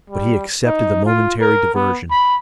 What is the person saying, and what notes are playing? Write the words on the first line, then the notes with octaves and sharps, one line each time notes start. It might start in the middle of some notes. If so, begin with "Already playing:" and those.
But he accepted the momentary diversion.
G3
D#4
F4
A#4
B3
B5